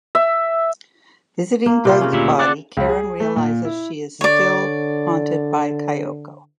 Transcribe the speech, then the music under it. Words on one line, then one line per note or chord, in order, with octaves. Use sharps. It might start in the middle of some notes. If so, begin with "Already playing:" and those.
Visiting Doug's body, Karen realizes she is still haunted by Kayako.
E5
A#3
C3 F4
C#3 C#4
D2 A#2 E4
D5 F#5 A5
C#2
G#4
A3
A#2
E4
D3 C#5 D5